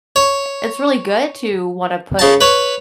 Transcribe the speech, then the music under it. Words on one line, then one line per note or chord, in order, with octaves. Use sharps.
it's really good to wanna put
C#5
C#3 A5
B4 C#5